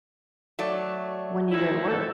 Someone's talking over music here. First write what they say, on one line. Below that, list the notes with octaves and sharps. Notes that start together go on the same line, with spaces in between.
when you go to work,
F#3 A3 D5
D2 D#4 E4
A4